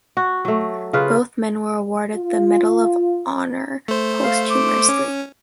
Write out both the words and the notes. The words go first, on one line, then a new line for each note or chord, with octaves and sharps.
Both men were awarded the Medal of Honor, posthumously.
F#4
F#3 A3
C#3 F4 B4 F5
F4
A3 C5
F5
D6
C#4